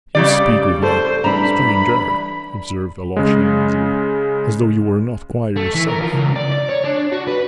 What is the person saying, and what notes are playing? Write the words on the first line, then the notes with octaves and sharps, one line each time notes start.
"You speak with a strange air," observed Alyosha uneasily, "as though you were not quite yourself."
C#3 G3 D5
A4 C5
E3 G3 D4 A#5 B5
C#3 G#3
A3
E3
A#4
F3
C#2
D5
D5
C#5
D4
F#4
B4